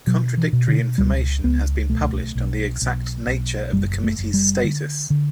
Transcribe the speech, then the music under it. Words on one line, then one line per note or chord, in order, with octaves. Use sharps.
Contradictory information has been published on the exact nature of the committee's status.
B2 F#3
E3
B2
D3
C#2 G3
C#2 B3
B1 A3
B1
B1
B1
F#1 G3
A3
F#1
G3
D3
D3